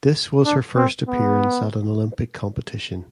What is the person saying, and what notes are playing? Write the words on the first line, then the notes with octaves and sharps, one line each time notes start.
This was her first appearance at an Olympic competition.
D4
C4
B3